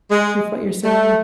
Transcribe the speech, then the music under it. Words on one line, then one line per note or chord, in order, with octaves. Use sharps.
with what you're saying.
G#3
A3